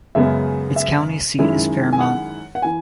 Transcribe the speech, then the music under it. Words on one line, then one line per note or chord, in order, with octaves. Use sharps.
Its county seat is Fairmont.
F#2 C#3 G#3 B3 E5
E5
F#2 D#3 G#3 C#4 E4
G#5
F#5
F#5
E3 G#5